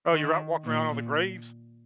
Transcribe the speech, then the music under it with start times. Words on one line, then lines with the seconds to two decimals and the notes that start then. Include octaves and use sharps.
Oh, you're out walk around all the graves?
0.13 D#3
0.64 A#2